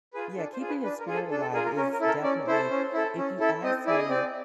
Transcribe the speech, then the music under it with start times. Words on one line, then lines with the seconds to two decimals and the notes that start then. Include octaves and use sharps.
Yeah, keeping his spirit alive is definitely If you ask me,
0.13 F4 G#4 B4
0.37 D4 A4
0.53 C5
0.60 F4 G#4
0.69 B4
0.83 D4 B4
0.99 A#4
1.07 F4 G#4
1.14 A4
1.31 D4 A4
1.41 A4
1.53 G#4 A#4
1.57 F4
1.65 A#4
1.76 C#4 A#4
1.93 A#4
2.00 E4 A4
2.08 A#4
2.23 C#4 D5
2.47 E4 A4 C5
2.71 C#4
2.93 E4 A4
3.17 C#4
3.40 E4 A4
3.64 C4 D#5
3.86 E4 G#4 D5
3.99 D#5
4.09 C4 D5